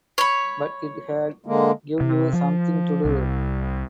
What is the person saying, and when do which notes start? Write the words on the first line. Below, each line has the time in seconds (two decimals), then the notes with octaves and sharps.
But it'd give you something to do.
0.18 C#5 B5
1.46 D3 G#3 A#3
2.01 C3
2.33 F3
3.05 C2